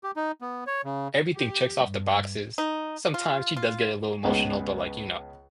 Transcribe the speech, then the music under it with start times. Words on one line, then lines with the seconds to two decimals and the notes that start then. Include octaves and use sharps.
everything checks off the boxes. Sometimes she does get a little emotional, but like, you know,
0.04 G4
0.16 D#4
0.42 B3
0.67 C#5
0.85 C#3
1.36 G4
1.84 G2
2.58 D#4
3.14 F4
3.57 F4
4.24 C#2 G#3 B3